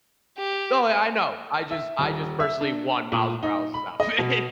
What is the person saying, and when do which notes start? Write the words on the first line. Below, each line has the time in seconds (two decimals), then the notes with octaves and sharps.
No, I I know. I just I just personally want Miles Morales' outfit.
0.38 G4
1.71 E5
1.99 D#1
2.40 E5
2.61 D4
3.12 A#2
3.43 D#4
3.74 B5
4.00 D#5
4.18 B2